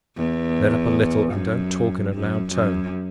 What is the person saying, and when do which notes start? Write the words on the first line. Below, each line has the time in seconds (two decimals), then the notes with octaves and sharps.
Let up a little, and don't talk in a loud tone.
0.16 E2
1.34 F#2
2.14 F#2
2.52 F#2